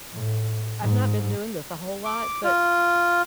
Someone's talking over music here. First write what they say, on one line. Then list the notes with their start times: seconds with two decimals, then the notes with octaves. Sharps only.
I've not been doing this a whole lot, but
0.13 A2
0.81 G#2
2.05 D6
2.44 F4